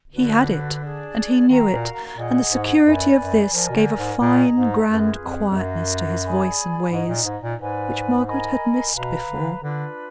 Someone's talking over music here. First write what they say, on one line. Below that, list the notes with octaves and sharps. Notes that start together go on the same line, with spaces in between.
He had it, and he knew it; and the security of this gave a fine grand quietness to his voice and ways, which Margaret had missed before.
D3 D4 F#4 B4
D4 G#4 D5
D#3 F#4 A#4 F5 A#5
A#2
A#2 G#4 D#5 F#5
G#2
F#2 B4 D5 G#5 B5
F#2
F3 A#4 D5 G#5
B2
D3
G#2
A#2 G#4 D#5 A#5
G#2
F#2 F4 G#4 B4
F2
F2
F#2 F#4 A#4 F5
G#4 D5 G#5 B5
G#2 D#4 G#4 D#5
A#2
G#2
A#2
G#2 B4 D5 G#5
A#4 D#5 G#5 B5
B2 B4 F5 A#5
D3
D3 D4 F4 B4